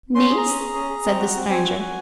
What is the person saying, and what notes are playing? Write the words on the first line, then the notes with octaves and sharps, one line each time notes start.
"Niece?" said the Stranger.
C#4 C6
G#4
A#5
C#4
G#4
C#4
G#4
C4
F#4
C4
C4 G#5
F#4
F#4